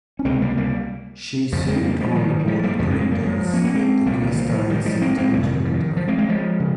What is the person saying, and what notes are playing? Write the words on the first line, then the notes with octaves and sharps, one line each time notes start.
She served on the board of directors at the Gerstein Centre in Toronto.
C#4
C#2 C3 G#3 C4
G3 A#3
G3 A#3
F2 C#3 F3
G#3 C4
G3 A#3
F3 G#3
G#3
D#3 G3
G3
F3 G#3
G3 A#3
F2 C#3 F3 G#3
G#3 C4
G#3 C4
G3 A#3
F3 G#3
F3
A#3 C#4
A#3 C#4
G#3 C4
C2 A#2 G3 A#3
D#3 G3
D#3
F3
D#3
F3
D#3 G3
F3 G#3
G#3 C4
G#3 C4
F2 C3 G3 A#3
D#3 G3
D#3
F3
D#3
F3
G#3 C4
G#3 C4
F3 G#3
C#3